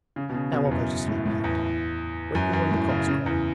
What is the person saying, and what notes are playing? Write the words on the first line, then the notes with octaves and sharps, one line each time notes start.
'Now I'll go to sleep,' he added. 'Wake me when the cocks crow.
C#3
B2
C#3
B2
E2
F#2
A2
A2
E2
F#2
F#2
A2
C#3
C#3
E2